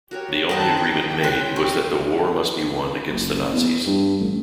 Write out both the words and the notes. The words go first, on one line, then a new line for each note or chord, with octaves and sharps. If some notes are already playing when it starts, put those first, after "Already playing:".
The only agreement made was that the war must be won against the Nazis.
F#4 G4 A#4 C#5
D#3 D#4 F#4 A4 C5 A5 F#6 G6
D#3 G5
C#4 B4 B5 C6 F#6
C3 F5 C#6
F#1
E2
G2
A1